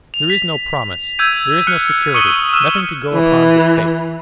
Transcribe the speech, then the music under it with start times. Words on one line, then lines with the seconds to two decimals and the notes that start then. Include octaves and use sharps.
There is no promise, there is no security--nothing to go upon but Faith.
0.14 F7
0.30 B6
1.19 E6 G6 G#6 D#7
1.67 F6 F#6 C#7
2.14 C#6 D#6 C#7 D#7 F#7 G7
2.53 E6 F6 E7
3.14 E3